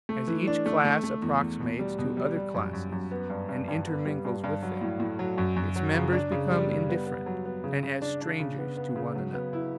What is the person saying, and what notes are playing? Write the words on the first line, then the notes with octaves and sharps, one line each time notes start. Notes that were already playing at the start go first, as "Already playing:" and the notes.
As each class approximates to other classes, and intermingles with them, its members become indifferent and as strangers to one another.
A3
E3
D4
A3
A3
A3
E2
E2
B2
G3
B2
G3
G3
F#2
F#2
F#2
B3
G2
G2
G2
B3
G3
G2
G2
F#3
A2
A2
F#3
F#2
F#2
F#3
C#3
D4
C#3
G3
G3
B3
B3
F#3
B3
C#3
C#3
D4
D4
C#3
B3
B3
C#3
F#3
B3
E4